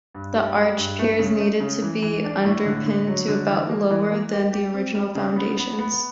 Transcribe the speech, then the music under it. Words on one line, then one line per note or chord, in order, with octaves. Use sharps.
The arch piers needed to be underpinned to about lower than the original foundations.
G2
G3
G3
G2
A3
C#3
A3
C#3
E3
E3
D4
A2
D3
D3
F#3
D3
E3
A#3
E3
A#3
G4
G4
C4
G3
C#3
B3
B3
B3